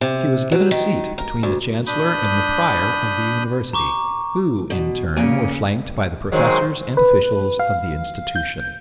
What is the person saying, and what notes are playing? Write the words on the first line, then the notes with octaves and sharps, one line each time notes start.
She was given a seat between the chancellor and the prior of the university, who, in turn, were flanked by the professors and officials of the institution.
C3
F#3
D#3
A#4
D2
D4 B5 D#6 G6
A#5 C#6 D6
B2
E2 C#3 A#3 G#5
D#3 F#3 G#3 C5
B4
F5
G6